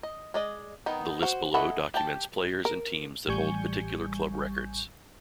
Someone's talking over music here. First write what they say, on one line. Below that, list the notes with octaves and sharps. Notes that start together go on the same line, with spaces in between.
The list below documents players and teams that hold particular club records.
D#5
G#3 D5 D#5
D#3 B3 D#4
F#4 C5
E3 A4 D#5 F#5 B5
G4 G5 A5
A#4
A1 G3 G#5 C#6 G6